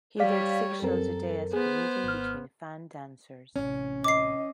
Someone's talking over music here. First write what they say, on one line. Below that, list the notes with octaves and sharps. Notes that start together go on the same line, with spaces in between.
He did six shows a day as comedian between fan dancers.
G3 C#5 D5 F5 B6
F#2 C4 A4 A#4
B3 G#4 C5
G#1 F6
A1 C3 C#4
D#5 D6 C7